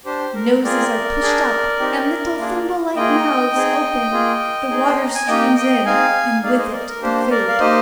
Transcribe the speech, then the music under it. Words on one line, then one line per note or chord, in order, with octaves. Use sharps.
Noses are pushed up, and little thimble-like mouths open; the water streams in, and with it the food.
D4 G4 C5
A#4
C4 F4 G#4 A#4 D5
D4 G#4
C4 D#4 G4
A#3 D4 F4 G#4
A#3 F4 G#4 D#5 G5
C4 D#4 G#4
A#3 F4 G#4
C4 D#4 G#4
C6
A#5
G#5
A#3 D#4 G4 D#5 G5
D#5 G5
C4 D#4 G#4 F5 G#5
A#3 D#4 G#4 D5 F5
C5 D#5
A#4 D5
A#4
A#3 D4 G4 C5
A#4 D5
F5
A#3 D#4 G4 C5 D#5